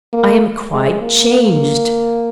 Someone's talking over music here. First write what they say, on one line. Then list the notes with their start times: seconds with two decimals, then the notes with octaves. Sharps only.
I am quite changed.
0.13 A#3
0.72 G#3
1.02 A#3